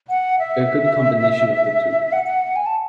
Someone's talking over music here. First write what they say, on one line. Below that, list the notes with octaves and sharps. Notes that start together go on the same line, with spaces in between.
A good combination of the two.
F#5
E5
F#5
G#5
A5